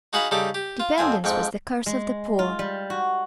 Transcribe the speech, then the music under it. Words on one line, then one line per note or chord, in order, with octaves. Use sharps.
Dependence was the curse of the poor.
D#4 F#4 G#4 F5 F#5 B5
C#3 G3 D#4 A4 D6
G4
F4
B1 F2 C4 G#5
F2 G#2 G5 C#6
G#3
F4
G3
F#4